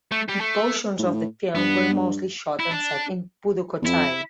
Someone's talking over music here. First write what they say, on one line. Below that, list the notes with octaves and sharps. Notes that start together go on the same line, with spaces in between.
The portions of the film were mostly shot and set in Pudukkottai.
A3
G3
A3
A2
G2
A2
G2 B3
E4
D4
E2
F2 E4